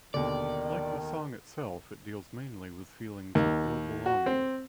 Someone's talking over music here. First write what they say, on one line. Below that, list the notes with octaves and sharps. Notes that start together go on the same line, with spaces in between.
Like the song itself, it deals mainly with feelings of ill-belonging.
D#2 B2 D3 D#3 D5
D#2
F#4
C4